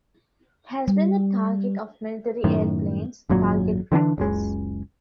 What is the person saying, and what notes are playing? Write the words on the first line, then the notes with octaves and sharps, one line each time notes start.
It has been the target of military airplanes' target practice.
G3
F#2 A2 D#3
G#1 F#2 A#2 F#3
D3 E3 C#4 D4
F#1 C#2 G#3